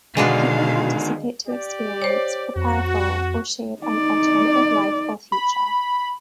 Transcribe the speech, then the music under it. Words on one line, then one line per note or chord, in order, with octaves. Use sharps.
People participate to experience, prepare for or shape an alternative life or future.
B2 D3 D#3 G#3 D4 F#4 B4 F5
G4 D5
C5 C#5
F2 F#4
D#4 D5
B5